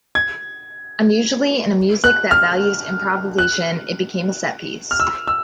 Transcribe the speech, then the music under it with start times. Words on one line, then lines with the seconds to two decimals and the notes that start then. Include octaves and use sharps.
Unusually in a music that values improvisation, it became a set piece.
0.15 G#6
2.04 F#6
2.31 F6
3.38 F#6
4.91 F6
5.00 E6
5.27 E6